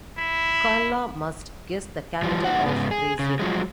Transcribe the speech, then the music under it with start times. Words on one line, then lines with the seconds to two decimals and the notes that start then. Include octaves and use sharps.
Karla must guess the capital of Brazil.
0.18 E4
2.23 E3 F3 G3
2.44 G2 A#3 D#4 F#4 F#5
2.66 G#2 C#3 B3
2.91 G#4
3.19 C#3
3.39 F3 F#3 G#3